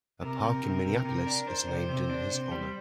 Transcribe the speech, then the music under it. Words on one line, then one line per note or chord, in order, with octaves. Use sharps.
A park in Minneapolis is named in his honor.
C3 A#4
C3
C3
C3 A#4
C3
D4
D4 C5
C3
C3
D4
C3
G3